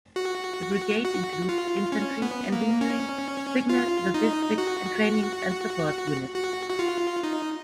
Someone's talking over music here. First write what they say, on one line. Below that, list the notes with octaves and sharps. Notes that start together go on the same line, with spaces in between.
The brigade includes infantry, engineering, signal, logistic and training and support units.
F#4
F#4
F4
C#4
B3
A#3
C#4
F4
D#4
F#4
F#4
F#4
F4
D#4